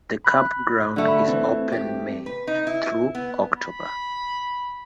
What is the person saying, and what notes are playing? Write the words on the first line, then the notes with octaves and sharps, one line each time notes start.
The campground is open May through October.
B5 F#6
D3 A3
B5
E3 C4
G4
B4
D#4
E4
B3
B5